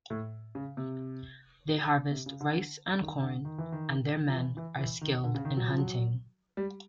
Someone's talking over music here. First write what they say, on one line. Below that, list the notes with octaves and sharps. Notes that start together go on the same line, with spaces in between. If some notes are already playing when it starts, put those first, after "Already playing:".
They harvest rice and corn and their men are skilled in hunting.
A2
C#3
C3
C3
C#3
D3
D#3
D3
D#3
E3
D#3
F3
E3
E3
E3
D#3
D3
C#3
D#3
F#3
F3
F#3
G3